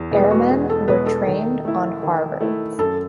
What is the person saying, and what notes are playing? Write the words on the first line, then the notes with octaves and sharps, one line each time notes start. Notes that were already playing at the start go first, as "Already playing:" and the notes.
Airmen were trained on Harvards.
Already playing: E2
B2 G#3 B3 G#4
F#4
E2 G#4
A4
B2 G#3 B3 B4
A4
D#3
A3 E4
D#3
A3 E4
F#2 A4